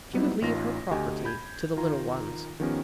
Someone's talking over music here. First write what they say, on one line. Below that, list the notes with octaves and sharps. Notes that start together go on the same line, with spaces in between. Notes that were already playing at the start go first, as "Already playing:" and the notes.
She would leave her property to the little ones.
F#3 G3 B3 C4 D#4 E4
A1 D#4 F4 A#6
D2 G4 D#5 G#5
B5 G6 G#6
D#3 F4 A#5
D#3 F3 B3 C#4 G4 A#4